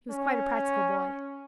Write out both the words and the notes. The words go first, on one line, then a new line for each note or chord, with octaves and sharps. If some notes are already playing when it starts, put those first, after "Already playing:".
He was quite a practical boy.
C#4